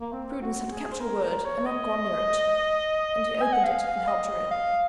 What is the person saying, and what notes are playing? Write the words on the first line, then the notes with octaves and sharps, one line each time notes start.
Prudence had kept her word, and not gone near it; and he opened it, and helped her in.
A#3
C4
F#4
G#4
C5
A#4
A#4
C#5
D#5
G#5
F#5
F5
D#5
F5